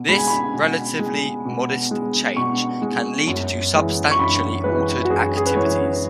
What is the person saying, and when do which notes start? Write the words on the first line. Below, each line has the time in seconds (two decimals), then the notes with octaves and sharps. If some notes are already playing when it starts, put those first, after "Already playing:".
This relatively modest change can lead to substantially altered activities.
Already playing: B2
0.09 G#3 B5
0.18 G#5
0.28 B5
0.54 B2
0.99 G#3
1.45 B2
1.91 G#3
2.36 B2 C#6
2.82 G#3
3.27 F#2
3.74 E3 G#3
4.11 C#6
4.19 F#2 B5
4.64 E3 G#3 B4
5.05 F#4
5.10 F#2 G#4
5.37 G#4
5.46 B4
5.55 E3 G#3 C#5